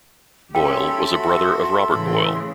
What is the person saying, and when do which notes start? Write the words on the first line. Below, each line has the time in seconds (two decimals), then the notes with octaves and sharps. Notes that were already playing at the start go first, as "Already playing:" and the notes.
Boyle was a brother of Robert Boyle.
0.55 C#4 G4 A4 E5 G5 B5 C6
1.11 F#4
1.89 A2 C#3 E3